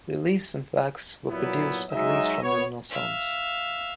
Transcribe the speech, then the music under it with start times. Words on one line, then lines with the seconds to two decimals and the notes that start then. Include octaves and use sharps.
Reliefs in wax were produced at least from the Renaissance.
1.29 A#2 F#3 B3 E4
1.90 F#3 G#3 D#4 F#4 D#5 E5
2.42 B3 C#5
2.89 E5 F5